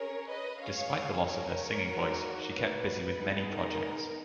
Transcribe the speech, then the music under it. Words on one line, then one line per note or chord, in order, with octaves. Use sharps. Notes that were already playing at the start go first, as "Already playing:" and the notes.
Despite the loss of her singing voice, she kept busy with many projects.
Already playing: C#4 G#4 A#4 C#5
B4 D#5
C#4 G#4 C#5 F5
A#4 C#5
A#3 D#4 F#4
B4
B3 D#4 G#4
A#4